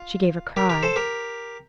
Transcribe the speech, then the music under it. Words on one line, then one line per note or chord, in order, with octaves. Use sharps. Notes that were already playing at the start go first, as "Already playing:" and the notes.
She gave a cry.
Already playing: F4
G4 A#4
G4 A#4
A4 C5
G4 A#4